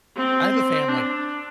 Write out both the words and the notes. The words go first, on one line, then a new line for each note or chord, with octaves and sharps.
I have a family.
C4
C4
D4